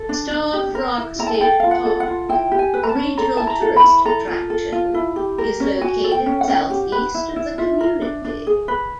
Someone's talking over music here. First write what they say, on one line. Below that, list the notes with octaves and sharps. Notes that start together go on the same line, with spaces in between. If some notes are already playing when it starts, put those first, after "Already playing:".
Starved Rock State Park, a regional tourist attraction, is located south-east of the community.
Already playing: A4
D4
D4
G4
A#4
E4
E4 A#5
A5
G#5
A4 G5
F4 F5
F#5
A4
F#5
F4
E4 G5
G4
G#5
B4
A#5
A5
C#4
A4 A#5
E4 A5
A#5
A4
B5
E4
A4 A#5
F4
A4
F4
E4
G4
A#4
C#4
F#4 G#5
A4
G5
C#4
F#5
C#4 G5
F#5
G4
B4
E4
E4
F4 E5
A#4
D4
D4
G#4
B4